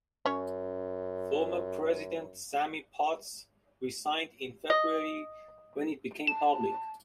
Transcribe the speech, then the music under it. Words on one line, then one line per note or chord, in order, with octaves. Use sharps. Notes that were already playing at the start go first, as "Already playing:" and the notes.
Former President Sammie Potts resigned in February when it became public.
F#2 C#4 C#5
D#5
A5 E7